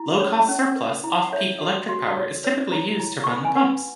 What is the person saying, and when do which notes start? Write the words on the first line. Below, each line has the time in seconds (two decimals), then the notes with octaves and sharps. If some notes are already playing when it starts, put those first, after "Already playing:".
Low-cost surplus off-peak electric power is typically used to run the pumps.
Already playing: E4
0.20 C#4 C#5
0.48 C#4
0.76 B4
1.04 E4
1.24 F#5
1.32 C#5 E5
1.61 F#4
1.89 F#4
2.17 C#5
2.44 B4 C#5
2.72 E4
2.99 E4
3.24 B4 C#6
3.34 B5
3.45 G#5
3.55 B4 F#5